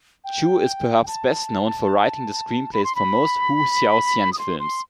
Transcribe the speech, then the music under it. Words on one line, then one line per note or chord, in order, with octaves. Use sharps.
Chu is perhaps best known for writing the screenplays for most Hou Hsiao-hsien films.
G5
G5
A5
B5
C6
B5
D#6
C6
C6